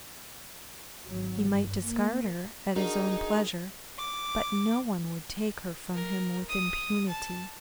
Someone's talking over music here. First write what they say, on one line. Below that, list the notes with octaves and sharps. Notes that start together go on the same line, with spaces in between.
He might discard her at his own pleasure, but no one would take her from him with impunity.
G#1 F#3
G2
A#3
D4 D#4 F#4 G#4 A#4
D6
A#4
D#6
A5